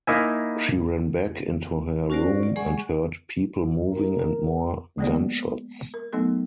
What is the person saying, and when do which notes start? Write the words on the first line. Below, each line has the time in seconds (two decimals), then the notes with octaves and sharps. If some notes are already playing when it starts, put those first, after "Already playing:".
She ran back into her room and heard people moving and more gunshots.
0.07 A#3 D#4 E4 E5 G#5
2.10 C#4 F4 F#4 A#4 C5 D5
2.43 D5
2.56 G#3 G#4 F#5 G#5 C#6
3.87 A#4
4.98 F3 G#3 A#3 B3 G#4 D5
5.94 A#4
6.13 F#3 A3 B3 D#4 A4